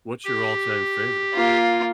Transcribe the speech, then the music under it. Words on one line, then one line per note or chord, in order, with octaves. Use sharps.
What's your all-time favorite?
G4
A#3 F4